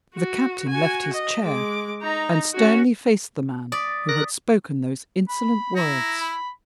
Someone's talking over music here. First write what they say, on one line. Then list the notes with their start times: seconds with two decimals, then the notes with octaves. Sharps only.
The Captain left his chair, and sternly faced the man who had spoken those insolent words.
0.14 F#4
0.68 F#4 G#5
1.13 D#5
1.42 G#3 D6
2.02 D#4 A#5
2.54 C#4 F#4
3.72 D5 D#6 A6 B6
4.09 A#4 F#6 A#6
5.29 B5
5.76 E4 A#5
6.21 B5